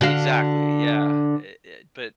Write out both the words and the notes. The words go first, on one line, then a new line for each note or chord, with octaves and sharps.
Exactly, yeah. It it but
D3 F#4 F5